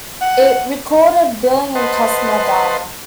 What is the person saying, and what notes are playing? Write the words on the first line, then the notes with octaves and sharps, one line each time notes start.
It recorded billing and customer data.
F#5
B4 C5 D#5 F#5 A5 C6